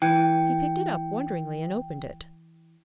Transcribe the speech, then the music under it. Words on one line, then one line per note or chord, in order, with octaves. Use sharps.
He picked it up, wonderingly, and opened it.
E3 G5